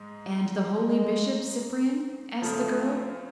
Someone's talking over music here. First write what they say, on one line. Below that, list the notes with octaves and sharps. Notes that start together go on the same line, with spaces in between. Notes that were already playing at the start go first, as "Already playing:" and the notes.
"And the holy Bishop Cyprian?" asked the girl.
Already playing: G#2 G#3
G#3
F#2 C#3 F3 A3